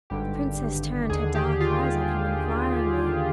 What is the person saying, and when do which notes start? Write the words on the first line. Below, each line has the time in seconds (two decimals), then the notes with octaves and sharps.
The Princess turned her dark eyes on him inquiringly.
0.10 G#1 G2 D3 G4
1.09 D#2 D3 G#4
1.35 G4
1.60 F4